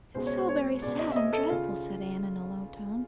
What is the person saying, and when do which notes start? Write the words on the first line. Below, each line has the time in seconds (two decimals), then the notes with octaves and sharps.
"It's so very sad and dreadful," said Anne in a low tone.
0.14 C#2 B2 G#3 C5
0.26 C#5
0.37 C5
0.49 C#5
0.82 C#2 B2 G#3 D5
0.99 D#5
1.12 E5
1.16 D#5
1.33 A4
1.50 C#3 F4